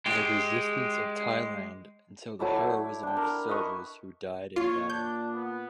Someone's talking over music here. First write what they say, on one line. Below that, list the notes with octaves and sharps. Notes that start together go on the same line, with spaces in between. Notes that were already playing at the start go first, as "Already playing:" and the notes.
The resistance of Thailand until the heroism of soldiers who died in battle.
G#3 G4
F#3 A3 E4 D5
E4
D4 G5
A#4
B4 D#5 E5 C#6
A#2 F4 C#5 C7
D4 G6
B3